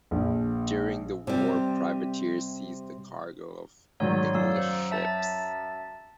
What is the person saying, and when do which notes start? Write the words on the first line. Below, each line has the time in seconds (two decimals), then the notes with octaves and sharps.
During the war, privateers seized the cargo of English ships.
0.11 A#1
1.27 C3 G3
4.00 G#2 D#3 F#3 C#5 D5
4.35 F#2 D5 F5 E6
4.56 C5
4.91 E5 A5 A6